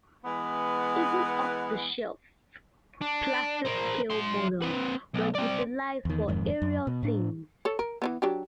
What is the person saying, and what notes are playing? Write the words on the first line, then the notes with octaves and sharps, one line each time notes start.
Even off-the-shelf plastic scale models were utilized for aerial scenes.
E3 G#3 B3
D4
A#4 C5
F#3 C6
C4 B4
B1
C4 D5
E2 D#3
E1 F2 G#2 D#3
F#2
B2
A2 D4
A4 C#5
A#4
E3 G3 B3
F#3 D4 G4